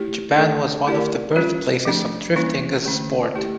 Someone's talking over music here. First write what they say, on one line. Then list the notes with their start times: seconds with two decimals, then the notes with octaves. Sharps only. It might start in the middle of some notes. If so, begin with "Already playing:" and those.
Japan was one of the birthplaces of drifting as a sport.
Already playing: A3 E4 G4 C#5
0.36 A3 D4 A4
0.87 A3 E4 G4 A#4 D5
1.36 G3 C#4 F4 C#5
1.85 F3 A3 D4
2.36 E3 G3 A#3 C#4 E4
2.85 D3 A3 C#4
3.35 A3 E4 G4